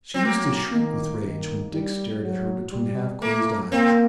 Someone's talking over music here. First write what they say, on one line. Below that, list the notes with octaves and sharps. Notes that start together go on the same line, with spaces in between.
She used to shriek with rage when Dick stared at her between half-closed eyes.
C4
F#3 A#3
D#3
D#3
G3
F#3
G3
A3 A#3
A#3 C4